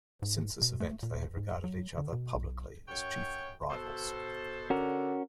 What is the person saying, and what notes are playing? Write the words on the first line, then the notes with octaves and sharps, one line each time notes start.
Since this event, they have regarded each other publicly as chief rivals.
G#2
B2
A3
A#2
G#2
F#3
D3
B2
B1
F#2 C#5 G5
B2 A4 C5
D3 C#4 F#4 A#4